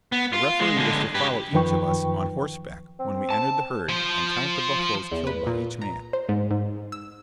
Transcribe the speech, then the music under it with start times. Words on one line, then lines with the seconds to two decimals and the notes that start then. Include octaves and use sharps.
A referee was to follow each of us on horseback when we entered the herd, and count the buffaloes killed by each man.
0.12 B3
0.33 F4
0.60 G#3
0.77 D3 G#3
1.15 G4 B4
1.53 F#2 D#3 F3 B4 G5 C#6
2.99 C4
3.30 A5
3.89 F3 C5
5.12 E2
5.27 B4
5.47 A#2
5.82 A#5
6.13 C5
6.29 G#2
6.51 G#2
6.92 E6